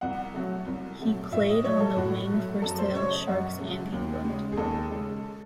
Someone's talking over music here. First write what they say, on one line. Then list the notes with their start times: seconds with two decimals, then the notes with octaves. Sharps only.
He played on the wing for Sale Sharks and England.
0.01 C2 F#5
0.34 C3 F#3 A3
0.66 C2
1.00 C3 F#3 A3
1.32 A2 E5
1.49 D#5
1.64 F#3 A3 C#5
1.80 A4
1.97 A2 F#4
2.30 F#3 A3
2.62 F#2 A4
2.78 C5
2.94 C#3 F#3 A3 C#5
3.11 D#5
3.27 F#2 F#5
3.60 C#3 F#3 A3
3.92 D#2
4.24 C#3 G#3
4.52 G#4
4.57 D#2 A4
4.90 C#3 G#3